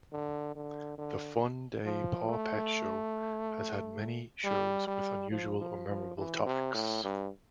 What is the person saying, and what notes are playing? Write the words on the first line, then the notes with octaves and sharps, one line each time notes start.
The Funday PawPet Show has had many shows with unusual or memorable topics.
D3
D3
D3
F3
A3
G3
G3
F3
F3
F3
E3
C3
A2
G2